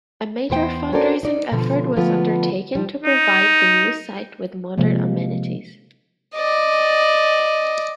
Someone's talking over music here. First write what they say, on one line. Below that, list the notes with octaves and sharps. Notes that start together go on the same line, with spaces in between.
A major fund-raising effort was undertaken to provide the new site with modern amenities.
E2 B3 C5 G5
C#4 F#4 A4 A#4 C5 D5
D#4 D5
B2 D3 F3
D3 F3 A3 B3 F4
F3 G3
D#4
C3 F3 G#3 A#3
D5 D#5